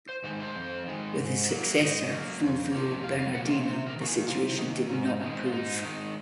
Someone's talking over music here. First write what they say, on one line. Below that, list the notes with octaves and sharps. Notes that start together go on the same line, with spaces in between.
With his successor, Fulvio Bernardini, the situation did not improve.
C5
D#3 G#3 C5
C5
F2
D#3 G#3
G#2
F#3 A#3
G#2 D#5
F#3 A#3
F2
C3 F3 A#3
F2 F5
F5
C3 F3 A#3 F#5
C5
C3 C5
A#4
D#3 A#3 F#4
G#4
C3 F4
D#3 A#3 D#4
G#2 C#4
D#4
D#3 G#3 C#4
C4
F4
G#2 D#4
D#3 G#3